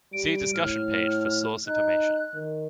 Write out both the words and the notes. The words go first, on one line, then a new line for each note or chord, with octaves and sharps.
See discussion page for source information.
G3 D7
A2 F6
D#4 F#6
D#3